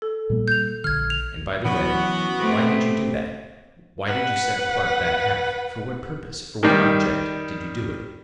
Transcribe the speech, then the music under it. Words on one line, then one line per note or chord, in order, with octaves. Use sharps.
And by the way, why did you do that--why did you set apart that half, for what purpose, for what object did you do it?
A4
A#2 G3 A#3
G6 F7
A#1 D3 F6 G#6
F7
E3 F#3 B3 C#4 F#4
A3 C4 G4
B4 F#5
D#3 G3